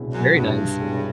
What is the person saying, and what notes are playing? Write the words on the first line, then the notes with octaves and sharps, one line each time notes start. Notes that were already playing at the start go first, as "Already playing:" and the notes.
Very nice.
Already playing: C2 B2 G#3 C#4 E4
F#2
C2 G2
B2 G#3 C#4 E4